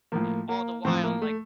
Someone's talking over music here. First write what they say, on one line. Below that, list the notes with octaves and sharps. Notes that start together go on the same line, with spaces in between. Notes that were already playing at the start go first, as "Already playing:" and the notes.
eh, all the while, like
A2 F3 A#3
A#3
A2 F3 C4
A#3
A3